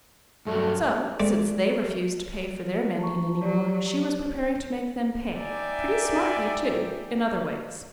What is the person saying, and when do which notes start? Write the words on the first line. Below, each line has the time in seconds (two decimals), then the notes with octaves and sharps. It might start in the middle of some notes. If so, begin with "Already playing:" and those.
So, since they refused to pay for their mending any more she was preparing to make them pay, pretty smartly too, in other ways.
0.47 G2 F#3 A3
1.20 G#3 A3 C4 D5
2.99 A5 A#5 C#6
3.42 F#3 G4 C#5 D5
5.34 D#4 D5 E5 G5 G#5 D6